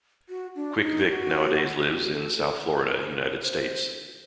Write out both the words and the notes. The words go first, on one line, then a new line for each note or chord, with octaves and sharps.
"Quick Vic" nowadays lives in South Florida, United States.
F#4
D4
D#4
G4
F#4
F#4
G4
A4
A4
A#4
C5
A#4
C5